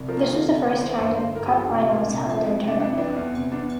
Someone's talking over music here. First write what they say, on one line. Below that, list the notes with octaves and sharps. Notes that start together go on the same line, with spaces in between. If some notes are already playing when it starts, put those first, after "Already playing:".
This was the first time the cup final was held in Ternopil.
Already playing: C2
F3 A#4
D2
C3
D2 C5
E3 C5
G2 C5
D3 C5
G2 A#4
G4
F3 A4
C2 G4
A#2 F4
C2 D4
F3 D4
F2 E4
C3
D4
F2 D4
E4
E3 D4
E2
C3
E2 D4